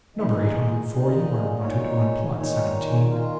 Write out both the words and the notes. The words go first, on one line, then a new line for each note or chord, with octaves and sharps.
"Number Eight Hundred Four, you are wanted on Plot Seventeen."
A#2 D#3 G#3 D#4 G#4 D#5
A#2 G#3 D#4 G#4 D#5
G#3 D#4 C#5
A#2 D#3 G#3 D#4 C#5
G#3 F4 A#4